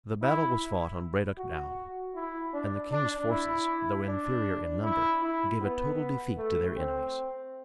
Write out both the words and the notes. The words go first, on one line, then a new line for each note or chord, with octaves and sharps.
The battle was fought on Bradoc Down; and the king's forces, though inferior in number, gave a total defeat to their enemies.
E4
F#4
E4
D4
D4
E4
D4
E4
E4
B3
A3
C4